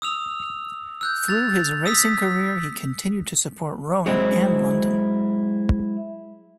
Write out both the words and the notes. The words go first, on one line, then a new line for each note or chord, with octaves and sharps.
Through his racing career he continued to support rowing and London.
D#6 E6 F7
E6 F#6 G6
A6 F7
D#6 E6 B6
F#3 G#3 C4 E4